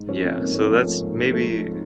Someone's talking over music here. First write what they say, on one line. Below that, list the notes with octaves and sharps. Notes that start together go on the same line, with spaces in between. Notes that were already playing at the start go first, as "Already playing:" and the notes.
yeah, so that's maybe
Already playing: G#2
F3 C#4
A3 C4
G#2 A#3
G#2 C#4
F3 A#3
A3
G#2
G#2
F3 A3
A3